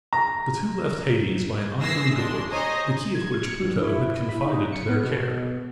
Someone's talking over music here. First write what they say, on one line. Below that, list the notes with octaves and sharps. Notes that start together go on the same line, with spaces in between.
The two left Hades by an ivory door, the key of which Pluto had confided to their care.
A#5
B3 E4 G#4 E6 A#6 C7
G#3 D4 C6
C5 C#5 D#5 G#5 A#5
G#6
C#7
G2
E4
B5
D#4
C#7
B3
B2
B2